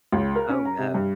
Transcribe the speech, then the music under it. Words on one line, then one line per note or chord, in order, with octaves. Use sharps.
Oh, no.
C#2
A#4
C#4
A#5
C3
G2